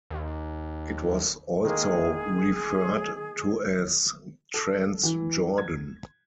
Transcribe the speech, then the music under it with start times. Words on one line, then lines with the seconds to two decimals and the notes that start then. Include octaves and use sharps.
It was also referred to as Transjordan.
0.11 D#2
1.65 D#3 G#3 A#3 G#4
4.54 A4
5.03 E3
5.58 G#6